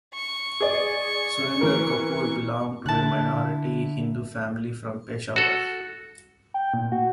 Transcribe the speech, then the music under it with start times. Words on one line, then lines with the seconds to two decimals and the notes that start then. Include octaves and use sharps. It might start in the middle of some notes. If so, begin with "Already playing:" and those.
Surinder Kapoor belonged to a minority Hindu family from Peshawar.
0.15 C#6
0.61 G#4 D5
1.61 E3 A#4
2.86 D3 E4 A5 F#6
5.36 F#4 A4
6.54 G5
6.74 A#2
6.92 F#4